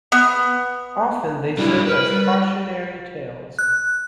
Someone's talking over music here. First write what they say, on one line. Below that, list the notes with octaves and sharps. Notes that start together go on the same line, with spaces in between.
Often they serve as cautionary tales.
B3
F#3 G3 D4 E4
A#4 B4
G3
F#6